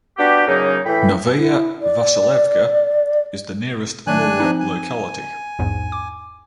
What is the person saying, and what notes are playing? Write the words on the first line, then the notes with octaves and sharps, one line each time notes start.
Novaya Vasilyevka is the nearest rural locality.
B3 D4 F#4 G4
F#2 C#3 F#3 A#3 D#4
A2 E3 G5 B5
E4
D5
D#3 F#3 A3 D4 G#5 F#6
F3 C4 D#4
G#5
A#1 E2 G#2
D6